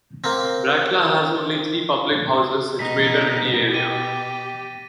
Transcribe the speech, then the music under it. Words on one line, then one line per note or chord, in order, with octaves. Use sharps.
Brackla has only three Public Houses situated in the area.
A#3 C4
B2 D#4 A#6 B6
G4 A6 D#7